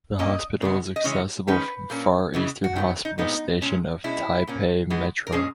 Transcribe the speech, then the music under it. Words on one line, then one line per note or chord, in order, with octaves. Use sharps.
The hospital is accessible from Far Eastern Hospital Station of Taipei Metro.
A#2 A#3 C#4 D#5
C#3 G#3 B3
D#5
C#3 E3 G#3 C#4 C#5
D#3 G#3 C#4 B4
A#2 A#3 C#4
C#3 E3 G#3 B3
F#4
D#3 F#3 B3 E4
D#4
A#2 G#3 B3 D#4
A#2 G#3 C#4
B2 G#3 C#4 E4
A#2 A#3 C#4
E3 G#3 B3
A#4
A#2 G#3 C#4 G#4